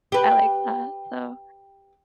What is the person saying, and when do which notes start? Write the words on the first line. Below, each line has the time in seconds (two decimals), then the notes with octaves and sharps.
I like that, so
0.12 G4 B4